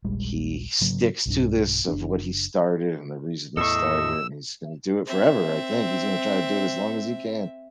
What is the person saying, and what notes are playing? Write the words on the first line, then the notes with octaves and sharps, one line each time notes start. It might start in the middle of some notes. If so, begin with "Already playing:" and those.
he sticks to this of what he started and the reason he started it, and he's gonna do it forever I think he's gonna try to do it as long as he can.
D#1 A#1 G3 G#3
G#2 C#3 F#3 A#3
B1 G2 D4
F#1 D4
E2 A2 A4 D#5 C#6 E6
C4 E5